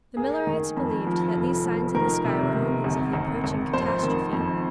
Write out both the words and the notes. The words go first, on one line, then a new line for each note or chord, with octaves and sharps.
The Millerites believed that these signs in the sky were omens of the approaching catastrophe.
A#3 G#4
D#3
F2
F3
F1
F3
D#3 A#4
C3
D#3
G#1
G#1
G#1
F2 C5
D#3
F2